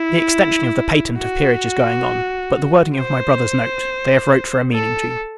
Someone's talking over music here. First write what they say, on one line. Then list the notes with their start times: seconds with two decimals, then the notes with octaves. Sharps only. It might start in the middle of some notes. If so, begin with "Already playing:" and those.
The extension of the patent of peerage is going on; but the wording of my brother's note, they have wrote for a meaning to.
Already playing: E4
1.18 F#4
2.95 C5
4.74 A4